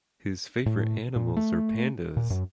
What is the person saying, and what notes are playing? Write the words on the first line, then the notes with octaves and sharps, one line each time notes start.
His favorite animals are pandas.
A2
A#2
A3
A#2
F#2